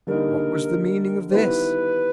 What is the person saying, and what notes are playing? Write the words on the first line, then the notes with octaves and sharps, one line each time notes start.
What was the meaning of this?
D3 G3 A#3 D#4 A#4
D#3 G3 B3 E4 B4 C5